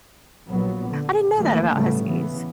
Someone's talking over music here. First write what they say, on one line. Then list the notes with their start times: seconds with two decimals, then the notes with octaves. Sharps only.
I didn't know that about Huskies.
0.48 A#1 A#2 F#3 B3
0.89 D3
1.38 F#2 D#3 F#3 A3 A#3
1.72 G1 A2 C#3 G3 A3 B3
2.03 C#3 E3 B3